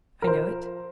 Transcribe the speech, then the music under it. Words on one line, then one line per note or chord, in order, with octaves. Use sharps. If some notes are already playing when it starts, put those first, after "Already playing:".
"I know it."
A#4
F3 C5